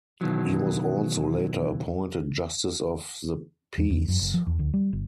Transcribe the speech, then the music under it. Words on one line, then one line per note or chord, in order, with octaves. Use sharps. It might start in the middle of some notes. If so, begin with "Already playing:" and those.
He was also later appointed justice of the peace.
B2 D#3 E3 F#3
E2
E2
F#2
F#1
F3
E2
D2
G3
G1